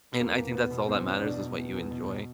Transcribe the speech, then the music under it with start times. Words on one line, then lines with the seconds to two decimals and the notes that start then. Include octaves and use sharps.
And I think that's all that matters is what you enjoy.
0.19 E2 A#3
0.37 E2
0.54 B2 B3
0.71 B2
0.87 E2 C4
1.05 E2 C#4
1.22 B2 D4
1.39 B2
1.56 E2
1.73 E2
1.91 B2
2.08 B2